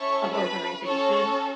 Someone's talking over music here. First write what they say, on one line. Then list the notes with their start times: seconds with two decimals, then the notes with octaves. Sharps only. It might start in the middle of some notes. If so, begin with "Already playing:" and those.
of urbanization,
Already playing: C#4 E4 A4 C#5 C#6
0.32 B4 B5
0.84 C#4 F#4 A4 C#5 C#6